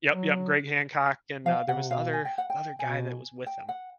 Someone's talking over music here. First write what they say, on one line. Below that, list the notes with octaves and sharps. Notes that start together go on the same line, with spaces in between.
Yup, yup, Greg Hancock, and, uh, there was the other the other guy that was with him.
F#3
F3 F5
C3 F#5
C#3
C3
B2 F5
G#5
G5
F#5
G5
B2 G#5
G5
F#5